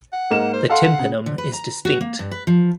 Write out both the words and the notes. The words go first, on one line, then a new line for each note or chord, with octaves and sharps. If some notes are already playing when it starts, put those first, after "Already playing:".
The tympanum is distinct.
F#5
G#2 A#3 E7
C5
A4 F5 F#5 C6
C#3
D3
B4
A#5
F#4
A#3
G2
B4
F3